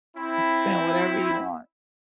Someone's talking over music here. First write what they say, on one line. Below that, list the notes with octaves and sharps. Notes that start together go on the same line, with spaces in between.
Spend whatever you want.
C4 E4